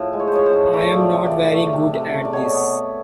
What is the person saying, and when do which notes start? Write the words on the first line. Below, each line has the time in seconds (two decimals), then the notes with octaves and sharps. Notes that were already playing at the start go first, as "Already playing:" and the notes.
I'm not very good at this.
Already playing: A2 F3
0.13 G#3
0.20 C#5
0.27 C5
0.33 F3 C#5
0.46 C5
0.53 A2
0.73 A3 D5
0.93 F3
1.00 D5
1.13 C3
1.26 D5
1.33 C3
1.53 A3
1.73 C3
1.94 C3
2.14 A3
2.25 D5
2.33 B2 C#5
2.53 B3